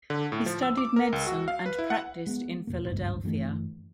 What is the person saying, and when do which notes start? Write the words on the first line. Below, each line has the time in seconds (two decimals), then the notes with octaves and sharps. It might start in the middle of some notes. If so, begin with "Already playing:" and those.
He studied medicine and practiced in Philadelphia.
0.10 D3
0.32 A2
0.46 F3
0.63 E6
0.78 D6
0.96 A#4
1.13 C#2
1.27 F#4
1.48 F5
1.66 B4
1.79 E4
1.90 F#5
2.27 G#3 B3
2.67 E1 E2 A#3
2.90 G#1 C#2 G2
3.23 G2 E3 F3 A3